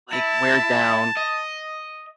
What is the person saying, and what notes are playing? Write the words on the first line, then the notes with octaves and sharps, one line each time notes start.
like wear down,
E4 A5
D#5